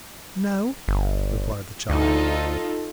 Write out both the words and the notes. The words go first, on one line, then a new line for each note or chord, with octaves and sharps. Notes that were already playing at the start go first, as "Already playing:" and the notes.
"No," replied the child.
G1
D2 D#4 F4 A4